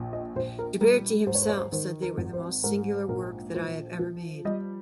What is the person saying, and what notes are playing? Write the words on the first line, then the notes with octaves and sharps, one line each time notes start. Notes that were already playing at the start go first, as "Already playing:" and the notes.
Ghiberti himself said they were "the most singular work that I have ever made".
Already playing: A#1
D#5
A#1 C5
A#4
G3 A#4
G#2 C5
C#5
C5
C#5
C5
D#3 C5
A#4
G#1
C5
G#2 A#4
A#1 A#4
F3 C5
F3
G3 D#5